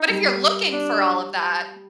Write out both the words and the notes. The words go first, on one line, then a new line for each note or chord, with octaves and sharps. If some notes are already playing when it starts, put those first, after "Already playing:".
But if you're looking for all of that,
Already playing: D#4
G3
D4